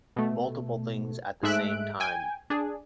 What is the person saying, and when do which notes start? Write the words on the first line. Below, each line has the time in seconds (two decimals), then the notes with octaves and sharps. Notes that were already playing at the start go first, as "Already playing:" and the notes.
multiple things at the same time,
0.16 B2 A3
1.43 G#2 G#3 A3 E5 F#6 D7
2.00 G5 G#5
2.50 D4 G#4